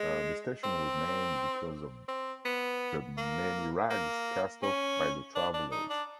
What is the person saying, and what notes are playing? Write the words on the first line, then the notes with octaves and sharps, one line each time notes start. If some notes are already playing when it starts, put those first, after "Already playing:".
The station was named because of the many rags cast off by the travelers.
Already playing: G#3
C4
C4
B3
A#3
A#3
C#4
D4
D4
D#4
D4